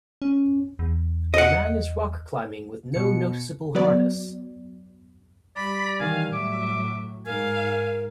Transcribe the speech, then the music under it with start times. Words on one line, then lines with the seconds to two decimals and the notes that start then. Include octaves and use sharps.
A man is rock climbing with no noticable harness.
0.22 C#4
0.79 E2
1.34 D#5 F#5
2.94 B2 C#7
3.75 F#3 B3 D5
5.57 G3 D5 B5
6.00 D#3 E3 F5 G#5
6.33 A2 F#3 E5 D6
7.27 G#2 A#4 F5 G#5